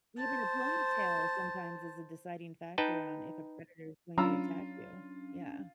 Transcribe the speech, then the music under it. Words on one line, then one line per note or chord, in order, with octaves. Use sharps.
Even a ponytail sometimes is a deciding factor on if a predator is going to attack you. Yeah.
C5 A5
D#4 B4 G5 A5
F#3 C#4 D4 F4 A#5 B5 E6